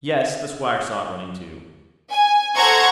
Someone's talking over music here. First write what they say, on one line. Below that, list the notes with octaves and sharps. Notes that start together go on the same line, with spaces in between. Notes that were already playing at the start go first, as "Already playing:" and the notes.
Yes, the Squire saw it running too.
G#5
A4 C5 F#5 A#5 C#6 G#6